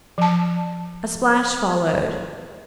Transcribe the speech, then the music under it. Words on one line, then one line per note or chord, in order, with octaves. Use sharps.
A splash followed.
F3 A5